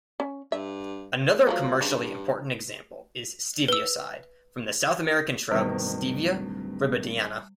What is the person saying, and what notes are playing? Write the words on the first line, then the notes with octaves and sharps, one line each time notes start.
Another commercially important example is stevioside, from the South American shrub "Stevia rebaudiana".
C#4
G2 E5
F3 F#3 A3 B3
G2 C#3
B4 E6
D1 G2 B2 D#3 G3